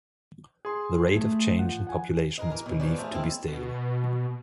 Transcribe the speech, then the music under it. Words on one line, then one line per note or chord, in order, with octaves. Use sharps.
The rate of change in population is believed to be stable.
G#4 C6
A3
F3 F#5
F#5 G#5
G#4 A#4 B4 D#5
E3 A#4
F#2 B2
E2 E3 F3 B3 F#4 D5
F3 A3 G#4 A#4
G#3 A#3 C4 E4 A4
B2